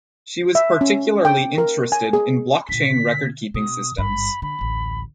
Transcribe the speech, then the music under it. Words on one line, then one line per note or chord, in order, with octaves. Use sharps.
She was particularly interested in blockchain record keeping systems.
E5
C#4
G5
A#4
G#5
G#4
A#2 D3 B6
B2 D#6
G#1 G2 B5
D3 B5
A1 D2